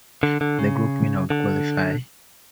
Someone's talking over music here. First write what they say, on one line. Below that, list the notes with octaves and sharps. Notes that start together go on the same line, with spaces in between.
The group winner would qualify.
D3
D3
C#3
D3